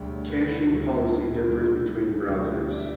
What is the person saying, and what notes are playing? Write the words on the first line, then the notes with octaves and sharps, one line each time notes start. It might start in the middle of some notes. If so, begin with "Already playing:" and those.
Caching policy differs between browsers.
Already playing: E1 D2 D3 G3 G5
C#5
B4
E4
E1 D2 D3 G3 F#4
E4
E4
E1 D2 D3 G3
E1 D2 D3 G3 F#4
G4
D5
E5